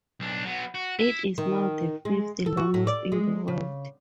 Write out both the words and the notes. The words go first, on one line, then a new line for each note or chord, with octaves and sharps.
It is now the fifth longest in the world.
B1 D4
F#3 B3
F#4
E4
D#3
G#3
A4
F#4
A2
D5
G#3
C#3